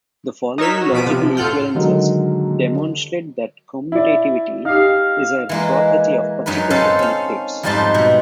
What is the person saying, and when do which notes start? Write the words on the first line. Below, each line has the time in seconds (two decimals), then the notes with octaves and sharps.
The following logical equivalences demonstrate that commutativity is a property of particular connectives.
0.58 D#4 A#4 C#5 E6 B6
0.78 F#4
0.93 B2 F3 B6 D7 D#7
1.07 C3 F3
1.37 A2 F4 A4 F#5 F6 G6
1.75 D3 D#3 F#3 G#3 A#4
3.92 E4 D5
4.65 D#4 G4 F5
5.49 E3 G#3 A#3
6.46 F#2 C#4 D#4 B4
6.70 C4 C#4 A4 C5 F5 A5
6.99 C#4 F5
7.63 F2 G#2 G3 D#4 C5 A5
7.94 B2